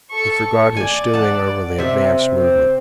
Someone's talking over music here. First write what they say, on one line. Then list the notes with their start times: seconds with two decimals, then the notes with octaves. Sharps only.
He forgot his stewing over the advance movement.
0.11 A4 C#6
0.77 D5 G#5
1.14 F#5 A5
1.78 C3 E5
2.36 C4